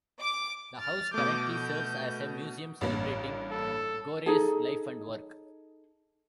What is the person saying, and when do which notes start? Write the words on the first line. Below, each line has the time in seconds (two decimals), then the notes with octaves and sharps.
The house currently serves as a museum celebrating Gorey's life and work.
0.20 D6
0.79 F6 A6
1.14 B2 A3 D6 G6
1.45 G6
2.81 A1 G2 A#3
3.51 A4
4.26 D#4 G#4 A4